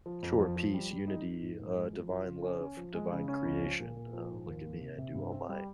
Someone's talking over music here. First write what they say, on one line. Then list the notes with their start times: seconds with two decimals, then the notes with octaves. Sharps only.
Sure, peace, unity, uh, divine love, divine creation. "Oh, look at me, I do all my
0.06 F3
0.23 F2
0.40 F3
0.56 F3
0.74 G3
0.91 G3
1.08 D#4
1.24 D#4
1.41 G#2
1.59 G#2
1.76 G#3
1.93 F3
2.10 F4
2.26 C#3
2.43 C#4
2.60 C#4
2.77 F3
2.94 G#3
3.12 C#3
3.28 C#4
3.45 C#2
3.62 F3
3.79 A#2
3.96 A#2
4.13 F3
4.30 G#2
4.46 D#2
4.64 A#3
4.81 C3
4.98 C3
5.15 G2
5.32 C4
5.49 G3